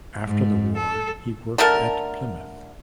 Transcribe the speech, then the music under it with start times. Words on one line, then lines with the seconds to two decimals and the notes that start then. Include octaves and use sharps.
After the war he worked at Plymouth.
0.25 G#2
0.76 A4
1.58 D3 A3 A4 A#4